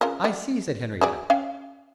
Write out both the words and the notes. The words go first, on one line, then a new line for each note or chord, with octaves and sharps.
"I see," said Henriette.
C#3 F4 A#4
G3 F#4
F#4 G#4 D5
C#4 F5 G5